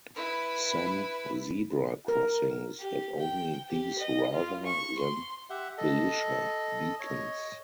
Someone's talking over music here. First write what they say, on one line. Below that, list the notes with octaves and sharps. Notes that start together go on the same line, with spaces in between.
Some zebra crossings have only these rather than Belisha beacons.
E4 B4
A#4
G4
G5
G4
D#5
F4
C#6
C6
G4 E5 F#5
A4 D#5
C#5 D#5